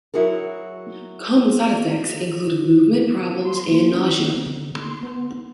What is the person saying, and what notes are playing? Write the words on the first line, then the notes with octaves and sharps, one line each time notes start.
Common side effects include movement problems and nausea.
F#3 E4 F#4 G#4 A#4
C6
A#3
C#4
B3
C4
D3
C6
B3